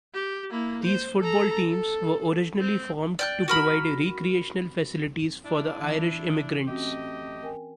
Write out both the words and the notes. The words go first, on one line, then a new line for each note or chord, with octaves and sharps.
These football teams were originally formed to provide recreational facilities for the Irish immigrants.
G4
A#3 E4
C5
A4 A#5
A4
C4
D5 G5 F#6
F#4 A#4 B5
D4 E4
E3
A3 C4 C#4 F#4 G4 D#5
A#4 G5 G#5